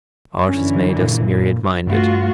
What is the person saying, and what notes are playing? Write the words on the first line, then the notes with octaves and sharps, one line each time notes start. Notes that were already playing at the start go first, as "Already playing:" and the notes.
Art has made us myriad-minded.
F#2 D3 E3 C#4
A#2
G2 A3 F4 F#4